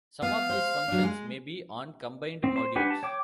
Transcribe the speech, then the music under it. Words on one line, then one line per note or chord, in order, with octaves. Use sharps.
Some of these functions may be on combined modules.
B3 F5
C5
F#3 D4
G#3
C4
C5
D4 G4 B4 F#5 G#5
A5
C#5 G5 D6